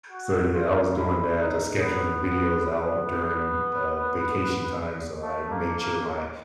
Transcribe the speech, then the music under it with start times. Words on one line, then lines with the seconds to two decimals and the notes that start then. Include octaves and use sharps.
So, yeah, I was doing that, to scheduling videos out during the vacation time. So I made sure my
0.11 F#4
0.54 F4
0.96 E4
1.39 D#4
1.81 B3
2.23 B3
2.66 B3
5.22 A3
5.50 A#3
5.79 A#3